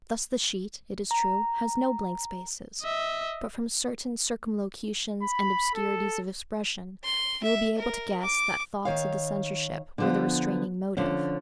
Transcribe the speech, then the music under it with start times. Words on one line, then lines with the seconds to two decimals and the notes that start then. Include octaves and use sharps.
Thus the sheet, it is true, has no blank spaces, but from certain circumlocutions and obscurities of expression you will be able to guess that thoughts of the censorship were the restraining motive.
1.11 A#5
2.82 D#5 E5
5.22 B5
5.75 A4
7.04 C6
7.44 E5
7.79 A#4
8.22 D6
8.85 D#3 C#5 F5
9.98 D3 F3 B3
10.97 D3 F3 C#4